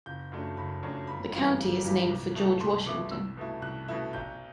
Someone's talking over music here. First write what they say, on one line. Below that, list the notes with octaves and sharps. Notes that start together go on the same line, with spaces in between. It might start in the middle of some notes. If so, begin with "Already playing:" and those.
The county is named for George Washington.
F#1 G6
F#2 F#3 A3 D4
F#1 B5
F#2 F#3 A3 D4
G1 B5
G2 E3 G3
G1
G2 E3 G3
C2
B2 A3 E4
C2 C6
B2 A3 E4 D6
C2 E6
B2 A3 E4
C2 F#6
B2 A3 E4
B1 G6